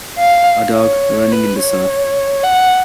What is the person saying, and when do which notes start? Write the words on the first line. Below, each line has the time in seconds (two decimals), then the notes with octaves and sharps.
A dog running in the surf.
0.18 F5
0.74 C#5
1.31 B4
1.59 C#5
2.43 F#5